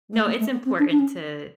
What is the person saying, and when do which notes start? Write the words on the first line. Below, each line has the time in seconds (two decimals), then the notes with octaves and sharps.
No, it's important to
0.13 A3
0.25 A#3
0.39 A3
0.52 B3
0.65 C4
0.79 D4
0.91 D4
0.99 C#4